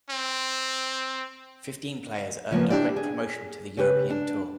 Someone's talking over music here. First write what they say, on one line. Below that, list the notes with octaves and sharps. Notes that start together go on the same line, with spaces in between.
Fifteen players earn direct promotion to the European Tour.
C4
C#3 F3 A#3 B3
D4 E4 G4 D5
G#4
C#3 G4 B4
D4